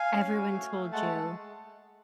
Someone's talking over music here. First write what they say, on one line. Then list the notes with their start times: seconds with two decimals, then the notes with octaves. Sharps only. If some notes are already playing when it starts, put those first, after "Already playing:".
everyone told you,
Already playing: F5 G#5
0.12 C#4
0.33 F#4
0.52 A3
0.73 A3
0.92 G#3 F#5 A5
1.12 G#3